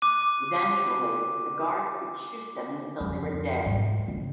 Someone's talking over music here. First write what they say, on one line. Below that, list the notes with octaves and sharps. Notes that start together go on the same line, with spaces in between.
Eventually, the guards would shoot them until they were dead.
D6 F#6 D#7
F2
G#2
C#3